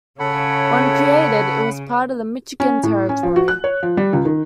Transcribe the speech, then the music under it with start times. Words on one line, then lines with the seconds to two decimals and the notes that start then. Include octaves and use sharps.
When created, it was part of the Michigan Territory.
0.19 C#3 A4 C#5 F#5 B5
2.60 C#4
2.83 A2
3.09 C#4
3.23 F3
3.36 F#4
3.48 F#6
3.64 C#5
3.83 F3
3.97 G3
4.13 C#2
4.25 D#3